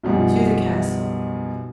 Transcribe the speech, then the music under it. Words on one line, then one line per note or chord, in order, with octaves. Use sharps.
To the castle!
B1 F#2 B2 F3 G3